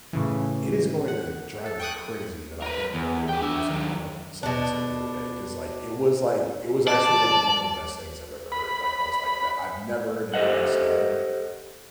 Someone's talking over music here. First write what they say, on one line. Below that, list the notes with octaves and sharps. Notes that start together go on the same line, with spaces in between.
It is going to drive me crazy that I can't remember the person what somebody said the other day, 'cause like it was like it was actually like one of the best things I've ever heard, like, I was like that I've never heard anybody say it
A2 C#3 E3
F#5
A4
G5 C#6 D#6 F#6
A#4 B4
E2
G#4 G5
D4 E5
D#3 F#3
B2 D4
D5 A5
B5
G4 A4 C5 D#5 F#5